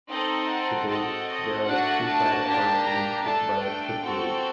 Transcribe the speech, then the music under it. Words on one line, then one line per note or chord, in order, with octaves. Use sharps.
Today, there are two platforms linked by a footbridge.
C4 D#4 A4 D#5
F#5
C4 F#4 A4 D#5
D#5
A3 D4 F#4 F#5
A5
A#3 D4 G4
A#5
A3 D4 A4 A5
G5
C4 F#4 A4